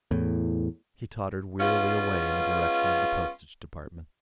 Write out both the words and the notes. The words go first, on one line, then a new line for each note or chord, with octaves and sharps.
He tottered wearily away in the direction of the Postage Department.
E2 A2
G#3 B3 C#4 F4